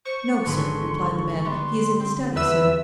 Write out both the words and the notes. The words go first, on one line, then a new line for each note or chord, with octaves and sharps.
"No, sir," replied the man; "he is in the study, sir."
C5 C#6
G#1 D3 B4 C6
G3 B3 C6
C4
E2 B4 E5 E6